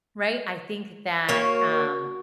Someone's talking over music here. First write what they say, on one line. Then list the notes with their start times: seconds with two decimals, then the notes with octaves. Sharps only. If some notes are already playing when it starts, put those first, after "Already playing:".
right? I think that, um,
1.29 A#3 F#4 A#4 C#5